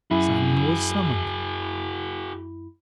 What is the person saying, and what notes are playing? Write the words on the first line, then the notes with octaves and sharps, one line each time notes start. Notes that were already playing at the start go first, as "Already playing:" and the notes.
Simon was summoned.
F#2 E4 F#4 G#4 B5